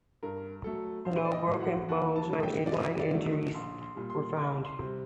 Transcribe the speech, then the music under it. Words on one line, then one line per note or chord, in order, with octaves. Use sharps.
No broken bones or spinal injuries were found.
G2 A#4
F#3 A3 A4
A#1 C5
C5
D5
D#5
A2 F#3
F#5
D#2 F#5
A5
D3 A3
G5
D5
F#2 D#5
D5
D3 F#3 A3
D#5
A#1 C6
C6
A#2 G3
C6
C2 D6
C6
C3 G3